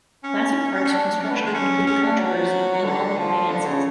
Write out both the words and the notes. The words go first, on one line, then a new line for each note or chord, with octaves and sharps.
Classic Park's construction included controversy involving finances.
C#4
C#4
D4
C#4
B3
A3
G#3
C#4
C#4
D4
F#3
D3
F3
D3
C#3